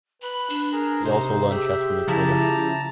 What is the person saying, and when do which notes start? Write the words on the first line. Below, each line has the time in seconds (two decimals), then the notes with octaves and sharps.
He also learned chess from his brother.
0.22 B4 B5
0.50 D4
0.73 G#4 A#4 A#5
1.04 C3 D#4 C5 C6
1.50 G4 G#4 E5
2.08 C#3 F3 E4 A5 A#5